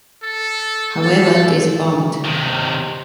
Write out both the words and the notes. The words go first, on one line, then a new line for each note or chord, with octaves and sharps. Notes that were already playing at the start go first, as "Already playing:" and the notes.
However, this bombed.
A4
A4
C3 D#3